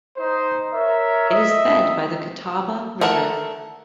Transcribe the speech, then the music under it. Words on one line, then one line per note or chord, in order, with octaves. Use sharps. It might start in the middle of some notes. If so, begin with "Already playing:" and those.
It is fed by the Catawba River.
D#4 C5
A#4 C#5 E5
D#5 E5
A3 A#4 F#5